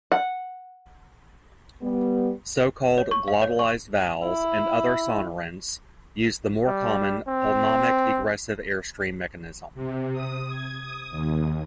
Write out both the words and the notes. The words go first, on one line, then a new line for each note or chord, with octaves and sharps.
So-called glottalized vowels and other sonorants use the more common pulmonic egressive airstream mechanism.
F#5
G3 B3
C#5
C#6
F5
C#5
C#6
E4
G3
C4
C3
D#6
G#6
D#6
D#2